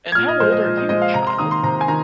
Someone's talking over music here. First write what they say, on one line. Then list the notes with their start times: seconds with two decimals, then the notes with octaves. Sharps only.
And how old are you, child!
0.12 G#6
0.15 A#2 F6
0.28 D#5
0.40 F3 G#3 C5
0.52 D#5
0.65 A#2
0.77 D#5
0.89 F3 G#3 D#5
1.02 F5
1.14 C3 A#5
1.27 C6
1.38 D#3 A#3 D#6
1.51 C6
1.63 C3 A#5
1.81 G#5
1.88 D#3 A#5